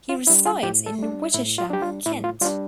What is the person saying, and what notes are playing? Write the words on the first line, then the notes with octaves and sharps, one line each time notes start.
He resides in Wittersham, Kent.
F4
G3 D4 E4
F4
A2 G4
A4
G3 D4
A2 E4
F4
G3 D4 G4
F4
A2 E4
F4
G3 D4 F4